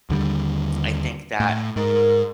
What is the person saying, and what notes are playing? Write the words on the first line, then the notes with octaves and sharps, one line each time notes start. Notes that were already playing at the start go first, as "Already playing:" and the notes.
I think that,
D#2 D3 G3
A2
G#2 A#4